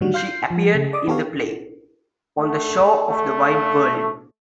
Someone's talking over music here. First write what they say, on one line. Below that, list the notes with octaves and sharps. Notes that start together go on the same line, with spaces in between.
She appeared in the play, "On the Shore of the Wide World".
A2 D3 D#3 F#3 G3 F#4
F5 C6 G6 C7
F3
C#3 A3
D5 D6 D#6
B3 G4 A4 C#5 F5
A3
A3